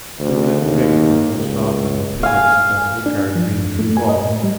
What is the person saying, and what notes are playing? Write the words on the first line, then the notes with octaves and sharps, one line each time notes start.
Food and drink were most often the pivots about which our dreams revolved.
D2
D#2
C#2
F5 G#5
D4
F3
F#2
F2
A3
G#5
D#5
A2
G3